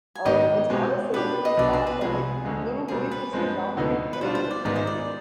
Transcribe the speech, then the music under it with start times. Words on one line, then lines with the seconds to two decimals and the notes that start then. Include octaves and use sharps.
Um, it's honestly really sad that, like, little boys just cannot treat animals right.
0.15 G#5
0.25 G#2 D#3 B3 D#4 G4 D#5 G5
0.70 B2 G#3 C4 G4
1.13 B2 B3 D4 G4 B4
1.45 D#5
1.57 B1 B2 B3 D4 D5
1.73 C5
1.87 B4
2.01 C2 C3 F3 G#3 B3 G#4
2.45 D2 D3 G#3
2.88 B2 G3 C4 G#4
3.12 B4
3.33 G2 F3 G#3 C4
3.77 D2 D3 F3 B3 D#4
4.13 B4
4.21 B2 G3 D4 F4 C5
4.35 C5
4.51 D5
4.65 G#2 D#3 G#3 B3 D5
4.76 C5
4.87 D5